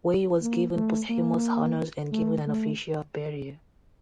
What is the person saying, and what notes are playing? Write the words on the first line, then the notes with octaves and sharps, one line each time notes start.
Wei was given posthumous honors and given an official burial.
A#3
A3
A#3
A3
A3